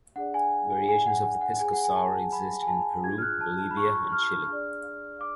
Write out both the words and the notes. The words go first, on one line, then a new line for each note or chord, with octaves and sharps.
Variations of the pisco sour exist in Peru, Bolivia, and Chile.
D4 G#4 D5 F#5
G#5
G#5
G#5
F#5
F#5
G#4 C#5 G#5
F#5
G#5
A5
B5
G#5
A5
D4 F4 G#4 G#6
F6
F#6
A5
A5
B5
C#6
F6
D4 G#4 D5
D6